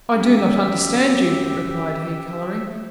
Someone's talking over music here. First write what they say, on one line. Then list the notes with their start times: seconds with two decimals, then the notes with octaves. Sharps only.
"I do not understand you," replied he, colouring.
0.15 F#2 G4 E5